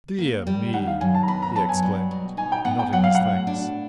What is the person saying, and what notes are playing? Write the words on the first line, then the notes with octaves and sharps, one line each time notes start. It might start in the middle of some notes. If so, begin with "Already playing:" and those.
"Dear me!" he exclaimed, nodding his thanks.
A#3
G3
D#3 F#5
F5
F#2 G#5
A5
A#5
B3 B5
A#5
F#3 A5
G#5
G3
B2
D#4 G#5
G5
B3 F#5
G5
F#3 F#5
F5
F#5
A2
D4